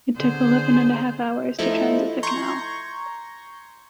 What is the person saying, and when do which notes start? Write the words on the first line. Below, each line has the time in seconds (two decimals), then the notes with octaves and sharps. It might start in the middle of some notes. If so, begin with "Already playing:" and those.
It took eleven and a half hours to transit the canal.
0.17 D3 G#4 C5
1.59 F3 A3 D#4 E4
2.23 A#5 C6 C#6 G6 G#6 A#6